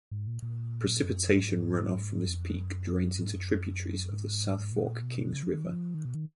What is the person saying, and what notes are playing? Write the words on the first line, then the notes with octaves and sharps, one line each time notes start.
Precipitation runoff from this peak drains into tributaries of the South Fork Kings River.
G#2
A#2
A#2
F#2
G#2
F2
F#2
G#2
F#2
G#2
A#2
B2
C#3
F3
D#3
F3
D#3
B2
D#3